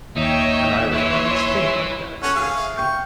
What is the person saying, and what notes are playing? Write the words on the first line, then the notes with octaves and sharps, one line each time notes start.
An Irishman must think like that, I daresay.
D#2 D#4 C#5 E5 G5
E4 B4 C#5 C6
C#4 A4 F#5 C#6
G#4 F5
E5
G5 C#6 F6 G6